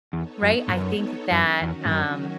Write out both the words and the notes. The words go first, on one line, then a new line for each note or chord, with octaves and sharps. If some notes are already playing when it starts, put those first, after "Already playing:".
right? I think that, um,
E2 B3 D#4 A4 C#5
F#2
G#2
F#2
F#2 D#3 F#3 C#4 F#4
E2
G#2
F#2